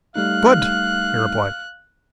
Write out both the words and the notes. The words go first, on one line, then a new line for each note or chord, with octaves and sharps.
"Good!" he replied.
G3 A3 D#4 F5 F#6